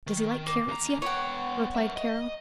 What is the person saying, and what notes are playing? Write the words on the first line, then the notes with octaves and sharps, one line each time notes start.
"Does he like carrots yet?" replied Carol.
D#3
A#3
D#2 A#5
B3 C#5 F#5 G5
A#4 E5
D#5